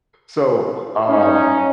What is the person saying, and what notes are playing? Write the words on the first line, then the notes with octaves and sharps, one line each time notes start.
So, uh, um,
C#4 D#4